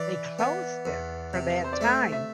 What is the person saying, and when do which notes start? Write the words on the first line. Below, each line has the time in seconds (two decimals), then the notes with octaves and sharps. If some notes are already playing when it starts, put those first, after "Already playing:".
they closed it for that time.
Already playing: E3 D5
0.39 B3
0.85 E2
1.33 C3
1.64 C5
1.73 D5
1.81 A3 E5
2.12 E5